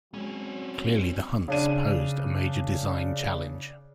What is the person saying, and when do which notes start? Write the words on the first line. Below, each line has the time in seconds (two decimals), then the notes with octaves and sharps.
Clearly the Hunts posed a major design challenge.
0.14 F#3 G#3 C4 C#4
1.48 C#3 D4 D#7